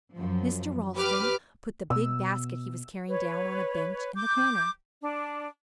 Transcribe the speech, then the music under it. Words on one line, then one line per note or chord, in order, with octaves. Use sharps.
Mr. Ralston put the big basket he was carrying down on a bench in the corner.
F#2 F3
G4 B4 D6 F6
B2 E6
B4 C#5
D6 G6
D4